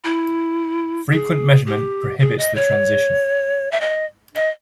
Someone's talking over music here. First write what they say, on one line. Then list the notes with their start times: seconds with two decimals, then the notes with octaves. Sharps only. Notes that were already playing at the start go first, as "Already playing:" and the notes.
Frequent measurement prohibits the transition.
0.04 E4
1.12 G#4
1.66 G4
2.19 G#4
2.38 D#5
2.56 C#5
3.72 E5
3.81 D#5
4.35 D#5